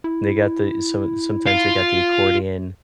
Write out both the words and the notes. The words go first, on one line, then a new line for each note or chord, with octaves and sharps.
They got the so, sometimes they got the accordion,
E4
F4